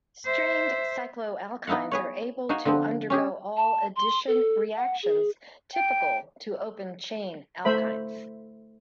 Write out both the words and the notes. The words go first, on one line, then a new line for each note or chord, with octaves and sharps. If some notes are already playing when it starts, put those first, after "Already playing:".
Strained cycloalkynes are able to undergo all addition reactions typical to open chain alkynes.
C5 E5
B3 D#4 E4 F5 F#5
G#4 B4 C#5
D#4 F#4 G#4 F5 G#5
D3 F3 B3 C4
C#4 G4 G#4
A5
C6
A4
F#5
G#4
G5
A3 C5 E5 B5